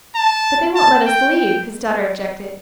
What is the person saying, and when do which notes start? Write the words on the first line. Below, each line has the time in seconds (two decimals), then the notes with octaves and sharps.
"But they won't let us leave," his daughter objected.
0.15 A5
0.76 A5
1.06 G5
1.35 G5